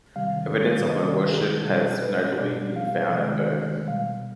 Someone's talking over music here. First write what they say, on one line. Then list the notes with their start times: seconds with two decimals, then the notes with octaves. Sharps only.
Evidence of her worship has notably been found at Bern.
0.16 C3 D#3 G3 F5
0.90 C3 D#3 G3 D#5
1.09 D5
1.28 G#4
1.65 B2 G3
2.02 B4
2.39 B2 G3 D5
2.76 F5
3.13 C3 D#3 G#3
3.88 B2 G3 F5